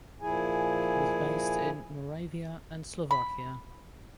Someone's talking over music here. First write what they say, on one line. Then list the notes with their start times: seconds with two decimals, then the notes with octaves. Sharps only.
It was based in Moravia and Slovakia.
0.21 A#2 F3 E4 G#4 G#5
3.11 B5